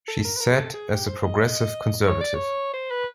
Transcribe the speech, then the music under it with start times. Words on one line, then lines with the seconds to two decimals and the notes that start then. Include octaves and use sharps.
She sat as a Progressive Conservative.
0.08 A4
0.25 A#4
0.37 B4
0.40 A#4
0.50 G#4
0.58 A4
0.74 G#4
0.91 G4
1.07 C5
1.24 D#5
2.07 C#5
2.21 D5
2.34 C#5
2.73 C5
2.91 B4